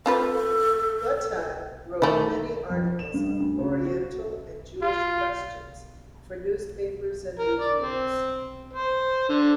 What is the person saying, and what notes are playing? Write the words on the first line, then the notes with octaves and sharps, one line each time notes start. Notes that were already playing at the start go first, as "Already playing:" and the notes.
Gottheil wrote many articles on Oriental and Jewish questions for newspapers and reviews.
C4 F4 A4 B4
D#3 A3 E4
F2
C5
E7
G2
D2
C#3
F#4
F4
A#4
D5
C4
C5
D3